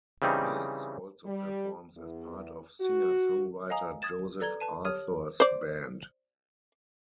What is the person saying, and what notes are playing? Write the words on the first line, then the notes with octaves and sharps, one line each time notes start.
Mills also performs as part of singer-songwriter Joseph Arthur's band.
C#3 E3 G3 C4 D#4
G3
E2
F#4
D#5 F5 G#5 A#5 D#6
D#6 G#6 A6 E7
A4 B4 D5 A#5 G#6 G7
B4 A5 D#7
G4 C#5 D#6 F6 D#7
C5 D5